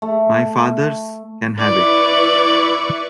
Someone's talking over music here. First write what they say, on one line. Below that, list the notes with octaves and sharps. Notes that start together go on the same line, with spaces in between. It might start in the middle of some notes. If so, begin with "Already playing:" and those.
My fathers can have it!
A3
E4 B4 D5 C#6